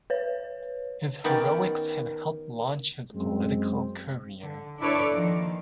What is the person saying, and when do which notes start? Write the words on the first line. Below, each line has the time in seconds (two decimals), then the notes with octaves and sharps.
His heroics had helped launch his political career.
0.10 B4 C#5
1.24 D#3 B3 C#4 G4 D5
3.12 F#2 G#3 C4
4.40 D3
4.79 D4 E4 A4 B4 C#5 D5
5.12 D#3 F3 A#3